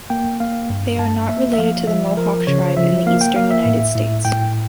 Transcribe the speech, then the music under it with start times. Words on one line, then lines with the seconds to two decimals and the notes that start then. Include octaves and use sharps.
They are not related to the Mohawk tribe in the eastern United States.
0.10 A#3 G5
0.40 A#3 F5
0.70 G2
0.99 G2 A5
1.29 A#3 E5
1.53 E5
1.58 F3 F5
1.87 F3 E5
2.17 F3 A#4
2.47 C#3 C#5
2.77 F3 E5
3.06 A#3 F5
3.21 G5
3.36 A#3 F5
3.51 E5
3.65 A2
3.96 A2
4.25 A2 G5